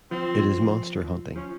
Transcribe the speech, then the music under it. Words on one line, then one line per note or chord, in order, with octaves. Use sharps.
It is monster hunting.
F3 C4
F3 C#4